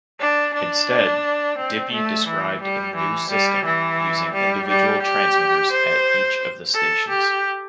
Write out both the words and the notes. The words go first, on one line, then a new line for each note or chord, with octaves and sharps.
Instead, Dippy described a new system using individual transmitters at each of the stations.
D4
D4
C4
A3
E3
G3
E3
G3
E3
G3
G3
G4
C5
A4
G4